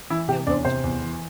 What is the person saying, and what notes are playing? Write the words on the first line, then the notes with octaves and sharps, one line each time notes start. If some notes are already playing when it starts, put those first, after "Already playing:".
'Here goes!
E3 E4
C3 G4
E2 D4
C3 C5
E2
E3